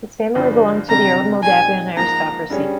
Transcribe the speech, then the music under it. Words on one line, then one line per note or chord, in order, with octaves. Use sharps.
His family belonged to the old Moldavian aristocracy.
G1 G2 F3
G1 F2 C3 G3 A#5
A#2 G3 C4 D#4 G#5
G#2 F3 A#3 A#5
G2 G3 C#4 G#4 C#5